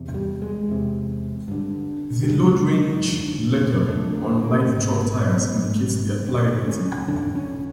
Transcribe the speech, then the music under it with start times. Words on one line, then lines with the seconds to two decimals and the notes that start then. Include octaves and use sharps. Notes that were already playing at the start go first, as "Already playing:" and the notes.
The Load Range Letter on light-truck tires indicates their ply rating.
Already playing: E2 C3
0.14 G3
0.42 G#3
0.68 E2 C3
1.48 G2 D3
2.23 G3
2.28 G2 D3 G#3
3.08 F2 D3
3.89 F2 D3 A3
4.15 A#3
4.41 A#3
4.68 G#2 C4
4.80 B3
4.91 A#3
5.02 B3
5.48 G#2
6.28 F2 D3 C4
6.68 C#4
7.08 F2 D3 D4
7.35 C#4